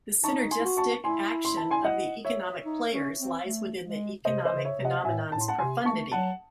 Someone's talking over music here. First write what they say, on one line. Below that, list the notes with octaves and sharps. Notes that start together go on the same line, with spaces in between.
The synergistic action of the economic players lies within the economic phenomenon's profundity.
D#4 A5 C#6
G#5 C6
E4
F#4
A5 C#6
E4 G#5 C6
C6
A5
G#5 C6
D#5 F#5
C#5 E5
D#4
C#4
C4
A3
G#3
C3 C5 D#5
C5 D#5
C#3
C#5 E5
C3
D#5 F#5
A2 E5 G#5
A2 A5
C6
F#5 A5
C3 G#5 C6
A3 A5 C#6
F#3 F#5 A5